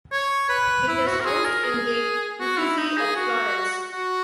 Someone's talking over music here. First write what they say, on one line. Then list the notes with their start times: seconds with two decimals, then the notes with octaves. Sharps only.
It is housed in the Uffizi of Florence.
0.12 C#5
0.49 B4
0.88 E4
1.07 F#4
1.21 A#4
1.26 G#4
1.45 A#4
1.64 G#4
2.40 F#4
2.59 E4
2.77 D#4
2.97 G#4
3.16 F#4
3.92 F#4